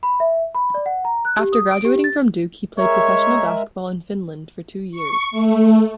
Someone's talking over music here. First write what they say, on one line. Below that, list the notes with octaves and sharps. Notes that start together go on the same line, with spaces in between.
After graduating from Duke, he played professional basketball in Finland for two years.
B5
E5
B5
D5
F#5
A#5
F#6
G4
D#6
D7
G4
A6
G#3 A#4 C#5 E5
C#6
A3